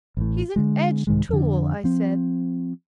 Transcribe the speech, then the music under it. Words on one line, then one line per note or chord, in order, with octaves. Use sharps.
'He's an edged tool,' I said.
A1 A2
D3 G#3
C2 G#2 D#3 G#3
F2 D3
F3 C4